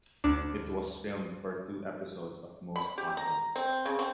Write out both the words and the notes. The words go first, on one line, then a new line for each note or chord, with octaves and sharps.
It was filmed for two episodes of "Most Haunted".
D2 D4
B5
G4
A#5
C4
C#3
C4